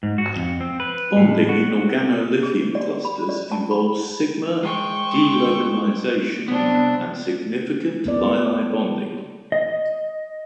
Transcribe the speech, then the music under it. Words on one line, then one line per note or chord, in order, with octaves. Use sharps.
Bonding in organolithium clusters involves sigma delocalization and significant Li-Li bonding.
G#2
F#4
F2
C4
B4
A2
F#4
G#4
D5
B5
D5
A5
B5
G#3 C5 G5 C#6
C2 F#3 B3 C4 D4
A#3 B3 D5
D#5